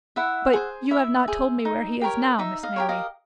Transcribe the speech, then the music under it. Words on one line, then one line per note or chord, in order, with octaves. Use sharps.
But you have not told me where he is now, Miss Maylie.
E4 E5 F#5
G#4 C5
E4 E5
G#4 C5
D#4
G4 A#4 C#5
D#4 E5
D#5 F5
G4 A#4 C#5
D#5 F5